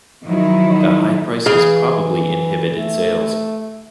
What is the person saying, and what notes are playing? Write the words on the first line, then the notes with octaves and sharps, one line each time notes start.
The high prices probably inhibited sales.
D#3 F3 F#3 D#4 E4
E3 G#4 F5
A3